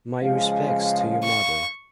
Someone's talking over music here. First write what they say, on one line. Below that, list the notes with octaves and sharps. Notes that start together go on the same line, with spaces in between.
My respects to your mother.
C#3 F3 G#3 F5
C#6